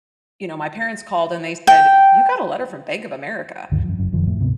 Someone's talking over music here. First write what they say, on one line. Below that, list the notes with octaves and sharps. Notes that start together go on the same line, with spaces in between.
you know, my parents called and they said, "You got a letter from Bank of America."
G5
D2 G2 D3 D#3
F#2 F3
F#1 F#2
F1 F#2 D#3 F3
F2 A2
D1 G#2 C3 B3